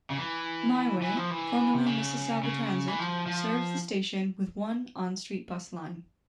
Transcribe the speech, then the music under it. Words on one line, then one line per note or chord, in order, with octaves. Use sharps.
MiWay, formerly Mississauga Transit, serves the station with one on-street bus line.
C#3
E3
E3
F3
E3
C3
C#3
C#3
E3
F3
F3